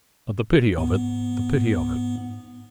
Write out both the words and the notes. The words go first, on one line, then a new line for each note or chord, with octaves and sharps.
But the pity of it--the pity of it!
G#2 B3